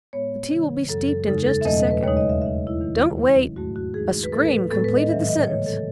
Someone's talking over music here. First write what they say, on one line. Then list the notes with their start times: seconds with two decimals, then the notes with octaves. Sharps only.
"The tea will be steeped in just a second. Don't wait--" A scream completed the sentence.
0.13 A2 G#3 B3 C#5
0.51 C#3 E3 G#3 D#4
0.89 F#2 C#3 F#3 A4
1.08 A4
1.27 E2 C#3 G#3 D#4 A4
1.47 A4
1.61 E5
1.65 E2 B2 F#3 A3 C#4 D#5
1.78 D#5
1.91 B4
2.03 D#2 C#3 G#3 D#4 C#5
2.17 D#5
2.29 E5
2.41 D#2 C#3 F#3 A3 D#4 E5
2.67 E4
2.80 D#2 D#3 A3 D#4
3.18 B2 F#3 C#4
3.56 G#2 F#3 A3 F#4
3.76 F#4
3.94 D#3 G#3 D#4 G#4
4.23 B4
4.32 A2 E3 A3 A4
4.45 B4
4.70 A2 G#3 B3 A4
4.84 B4
4.96 D#5
5.08 G#2 D#3 F#3 E5
5.21 E5
5.28 D#5
5.47 C#3 E3 A3 C#5
5.66 A4